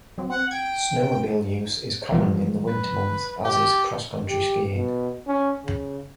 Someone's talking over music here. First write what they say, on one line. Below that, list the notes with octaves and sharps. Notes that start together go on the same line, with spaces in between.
Snowmobile use is common in the winter months as is cross-country skiing.
F#3 C4
C4 F#5
G5 G#6
E3 F3 G3
B4
G4
G4
B2
C#4
C#3